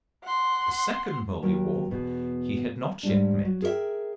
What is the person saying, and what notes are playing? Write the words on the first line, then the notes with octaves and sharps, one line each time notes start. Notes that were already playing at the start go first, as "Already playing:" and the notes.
The second Mouldiwarp he had not yet met.
F#5 C6
D#2 F#3 G5
E2 B2 B3
G#2 G3 G#3 D4
F#3
G#4 A#4 B4 E5 G5